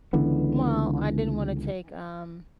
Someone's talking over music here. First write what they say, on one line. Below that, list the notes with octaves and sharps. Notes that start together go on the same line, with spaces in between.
Well, I didn't wanna take, um,
C#2 D3 E3 B3